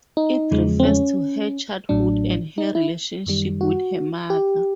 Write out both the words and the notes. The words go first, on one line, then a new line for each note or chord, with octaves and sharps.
It refers to her childhood and her relationship with her mother.
D#4
E2 C#3 F3 G#3
C4
C#4
A1 A2 F#3 D4
D#4
E4
F#2 D#3 G3
F#4
G4